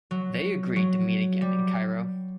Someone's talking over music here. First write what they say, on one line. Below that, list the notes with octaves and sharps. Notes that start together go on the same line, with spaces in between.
They agreed to meet again in Cairo.
F#3
F#3
G3